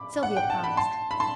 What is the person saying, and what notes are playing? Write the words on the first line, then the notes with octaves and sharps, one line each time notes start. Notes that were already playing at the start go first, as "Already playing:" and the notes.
Sylvia promised.
Already playing: B5 D6
F#5
G5
A5
B5
A5 C6
B5
A5 C6